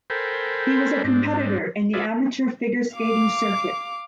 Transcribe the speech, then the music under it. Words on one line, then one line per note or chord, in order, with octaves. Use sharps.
He was a competitor in the amateur figure skating circuit.
A4 A#4 C5 G5 G#5 B5
G#2 C4 D4
F4 F#4 G#4 B4 D5 E5
F5 D6